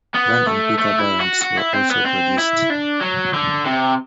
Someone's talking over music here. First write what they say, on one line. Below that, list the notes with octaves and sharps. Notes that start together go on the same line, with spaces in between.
Van and pick-up variants were also produced.
B3
A3
A3
E4
F#4
F#4
E4
C4
B3
C4
E4
D4
F#3
D3
C3